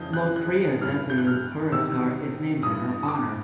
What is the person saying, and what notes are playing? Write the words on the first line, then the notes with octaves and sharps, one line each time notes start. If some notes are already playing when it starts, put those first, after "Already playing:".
Lok Priya Devi Puraskar is named in her honour.
Already playing: F2 C#3 E3 G6
F#6
F#6
G2 E3 F6
G6
F#6
F6
E2 C3 D#3 E6
G2 E3 D#6
D6